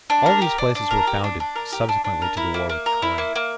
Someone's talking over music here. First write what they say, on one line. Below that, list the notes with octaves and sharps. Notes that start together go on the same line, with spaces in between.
All these places were founded subsequently to the war with Troy.
D4
A#4
G4
D4
D4
A#4
G4
D4
D4
A#4
G4
D4
D4
A#4
E4
A#3
A#3
A#4
E4
A#3
A#3